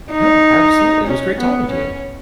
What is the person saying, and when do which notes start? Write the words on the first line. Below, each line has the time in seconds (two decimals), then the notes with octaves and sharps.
No, absolutely, it was great talking to you.
0.12 D#4
1.07 C#4
1.40 B3
1.71 C#4